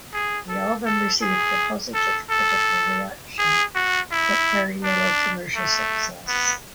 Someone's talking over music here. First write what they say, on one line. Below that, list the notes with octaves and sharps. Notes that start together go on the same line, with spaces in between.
The album received a positive critical reaction but very little commercial success.
G#4
A4
A4
G#4
A4
A4
G#4
F#4
E4
D4
A3
B3